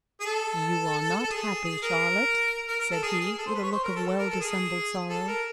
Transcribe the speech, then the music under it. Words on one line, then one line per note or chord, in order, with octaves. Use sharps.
"You are not happy, Charlotte," said he, with a look of well-dissembled sorrow.
G#4
A4
A4
G#4
G#4
A#4
A#4
A#4
A4
G#4
G#4
A4
C5
B4
C#5
C5
A#4
A4
A4
A#4
A4
G#4
A4
A#4